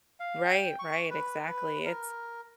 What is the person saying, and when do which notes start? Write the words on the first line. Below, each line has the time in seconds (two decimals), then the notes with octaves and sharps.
Right, right, exactly, it's
0.20 F5
0.43 G5
0.79 C#6
1.10 B4
1.45 B4
1.85 A#4